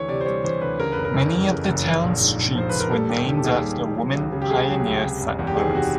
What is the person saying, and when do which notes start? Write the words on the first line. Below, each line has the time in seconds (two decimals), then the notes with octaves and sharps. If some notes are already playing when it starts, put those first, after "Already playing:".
Many of the town's streets were named after women pioneer settlers.
Already playing: D2 E3 C#5
0.08 C3 D5
0.21 C5
0.26 G3 C#5
0.44 E3 C5
0.61 D2 B4
0.79 C#3 A#4
0.92 F#1 B4
1.05 A#4
1.14 F2
1.33 E3
1.49 C#3
1.68 F#1
1.85 F3
2.03 A#1
2.21 G#2
2.39 A#1
2.55 F3 C5
2.69 A#1 B4
2.80 A#4
2.91 G3 A4
3.09 D#2 G4
3.26 D#3 G4
3.37 A4
3.44 D#2 G#4
3.62 G3
3.80 D#2
3.98 F#3
4.15 C#2
4.32 C#3
4.42 G4
4.50 C#2 G#4
4.69 F#3
4.86 C#2
5.04 C3
5.21 F#1
5.39 E2
5.47 G4
5.57 D#3 G#4
5.74 C3 F#4